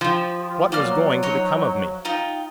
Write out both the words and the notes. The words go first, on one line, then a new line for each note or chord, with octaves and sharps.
What was going to become of me?
F3 G4 F5
F4
F#3 A#3 D5 F6
D#4 C#5
D#4 F4 G5